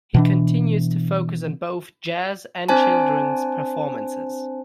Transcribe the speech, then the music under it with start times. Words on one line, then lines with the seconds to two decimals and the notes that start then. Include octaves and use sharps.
He continues to focus on both jazz and children's performances.
0.14 B2 E3 D4
2.69 C4 D4 C5 G#5 A5